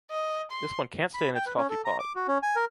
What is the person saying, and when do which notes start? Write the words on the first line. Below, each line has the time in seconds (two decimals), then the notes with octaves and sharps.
This one can’t stay in its coffee pot!...
0.11 D#5
0.51 C6
1.14 B5
1.35 G5
1.46 B4
1.58 C#4
1.70 A4
1.85 A#5
1.99 D6
2.15 F#4
2.28 C#4
2.43 G#5
2.56 A#4